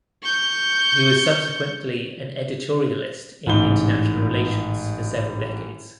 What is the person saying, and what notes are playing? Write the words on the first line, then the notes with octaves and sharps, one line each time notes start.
He was subsequently an editorialist in international relations for several decades.
C#6 G6
A1 G#2 G7